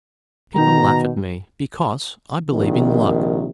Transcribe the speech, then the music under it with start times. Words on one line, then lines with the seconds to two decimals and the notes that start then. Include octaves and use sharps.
People laugh at me because I believe in luck.
0.56 B2 D#3 D#4 A#5
2.53 A#1 C3 D#3